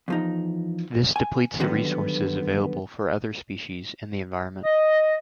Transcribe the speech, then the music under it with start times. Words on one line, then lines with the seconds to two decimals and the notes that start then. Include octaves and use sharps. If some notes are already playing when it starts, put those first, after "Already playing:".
This depletes the resources available for other species in the environment.
0.08 E2 F3 D#4
1.16 G#5
1.60 D3 D#3 F#3 G3 B3 F#4
4.64 D#5